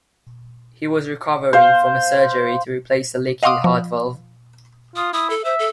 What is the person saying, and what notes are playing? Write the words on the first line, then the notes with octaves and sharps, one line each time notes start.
He was recovering from a surgery to replace a leaking heart valve.
C5 F5
D#5 F5 F#5 C6 D6 D#6
F3
F4 D#6
E4 D#6
A4
C5 E5
A4